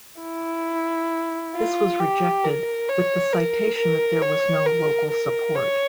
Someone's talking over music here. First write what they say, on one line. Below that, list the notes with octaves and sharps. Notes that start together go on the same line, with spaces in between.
This was rejected, with the citation that there was no local support.
E4
F4
G4
A#4
C#5
A#4
A#4
C#5
A#4
A#4
C#5